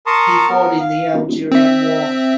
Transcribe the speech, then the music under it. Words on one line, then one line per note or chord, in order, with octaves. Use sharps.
He fought in the Algerian War.
A#4 A5 A#5 C6 C#6 D#6
B3 A#4
F5
C4 E5